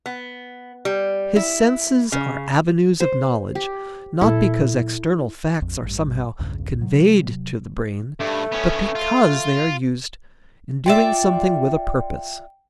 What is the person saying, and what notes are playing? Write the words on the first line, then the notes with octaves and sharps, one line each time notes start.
His senses are avenues of knowledge not because external facts are somehow "conveyed" to the brain, but because they are used in doing something with a purpose.
B3
G3
E4
C#3
C5
G4
A#2 F#3 E4 A4
A#1 F2
A1 G2
B1 E2 G2 C#3
C3 F#3
G2 A3
B3 C#4
F4
F4 D5 E5 G5